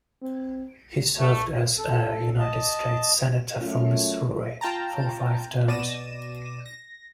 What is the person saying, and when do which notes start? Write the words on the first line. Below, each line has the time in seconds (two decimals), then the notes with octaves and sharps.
He served as a United States Senator from Missouri for five terms.
0.22 C4
1.16 A3
1.78 A4
2.39 D#5 A5
3.61 F#2 A3 F4
4.61 F4 G5 A5 A#5
5.68 B2 D5 A#6 D#7 E7
6.66 A#6